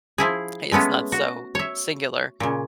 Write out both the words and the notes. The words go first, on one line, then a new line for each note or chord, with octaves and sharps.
It's not so singular.
F3 E4 G#4
G#3 A3 B3 C#4
F#4
C#5 E5
A#2 C#3